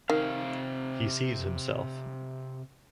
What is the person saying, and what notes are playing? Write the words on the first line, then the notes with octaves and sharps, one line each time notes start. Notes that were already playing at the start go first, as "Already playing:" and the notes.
He sees himself.
C3 D#3 F5